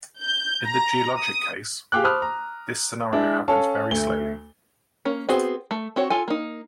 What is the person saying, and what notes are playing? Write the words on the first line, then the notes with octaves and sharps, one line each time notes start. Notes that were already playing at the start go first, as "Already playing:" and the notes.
In the geologic case, this scenario happens very slowly.
G6
A#5
D#6
G4 G#4 F5 G5 D6 F#6
C5 A5 B5 D#6 F6 F#6
A#5
G#3 D4 E4
C#4 A4 C#5 F5 A5
D2 A3 G7
A#3 C#4
B3 C4 F#4 G#4 C5
A3
C4 F#4 C#5
F4 A4 G#5
A#3 D#4